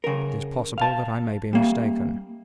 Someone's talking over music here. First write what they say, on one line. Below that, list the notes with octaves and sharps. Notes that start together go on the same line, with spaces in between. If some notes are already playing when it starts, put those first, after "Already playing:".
It is possible that I may be mistaken.
C#3 A#4
F5 A5
G3 A#3